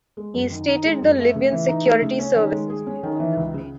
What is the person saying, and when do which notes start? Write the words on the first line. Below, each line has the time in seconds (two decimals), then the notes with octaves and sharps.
He stated The Libyan security services blew up the plane.
0.17 G#3
0.34 F#2
0.51 D#3
0.68 D#4
0.85 G#3
1.01 F#2
1.19 A3
1.35 C#3
1.52 E3
1.68 D#4
1.86 A3
2.02 C#3
2.19 C#4
2.36 D#3
2.53 G#3
2.70 G#4
2.87 C#4
3.03 D#3
3.20 E3
3.37 C#2
3.54 C#3